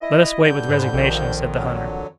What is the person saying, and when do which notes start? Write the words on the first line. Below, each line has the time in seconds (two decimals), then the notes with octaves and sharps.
"Let us wait with resignation," said the hunter.
0.02 E4 D#5
0.44 G2 D3 G6
0.69 G#2 D4 B4 C5
0.93 A#1 F2 D#3
1.54 D3 F#3